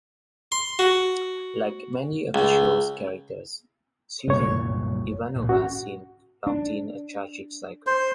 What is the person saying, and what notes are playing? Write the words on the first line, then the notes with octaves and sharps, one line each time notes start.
Like many of the show's characters, Susan Ivanova seemed locked in a tragic cycle.
C6
F#4
C#2
F#1 C2 G2 A#2 C#5
C#2 A#2
G#1 C#4 F#4
D4
C5